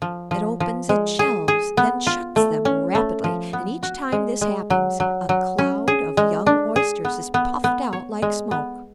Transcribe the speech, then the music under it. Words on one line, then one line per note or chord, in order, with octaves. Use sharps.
It opens its shells, then shuts them rapidly; and, each time this happens, a cloud of young Oysters is puffed out like smoke.
F3
F3
F3
G#3
G#4
G#4
B3
F4
A3
C#4
A3
F3
B3
F#4
G#3
G#3
F#3
F#3
F#3
C#4
G#4
G#3
D4
G#4
B3
B3
B3
C#5
G#3
B3